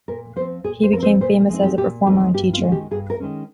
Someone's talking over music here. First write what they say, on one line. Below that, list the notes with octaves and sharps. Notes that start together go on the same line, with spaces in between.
He became famous as a performer and teacher.
A#2 A#4
F3 C4 C5
A#2 G#4
C5
F3 A#4
C4
C5
A#2 C5
F3 G#3 C4 D#4
G4
A#2 G4
F3 G#3 C4 D#4 G4
G2 G4
F4
D#3 G#3 C#4
G4
G2 G#4
A#4
D#3 G#3 C#4